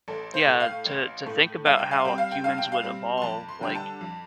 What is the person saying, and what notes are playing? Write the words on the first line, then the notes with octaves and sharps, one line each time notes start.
Yeah, to to think about how humans would evolve, like,
A1 A4
C5
A2 A3
F5
A1
A2 A3
G2 F5
G5
F5
G3 C4 G5
F5
G5
G2 F5
G5
F5
G3 C4
C6
F2 A5
C6
D3 G3 D4 G5
A5
F2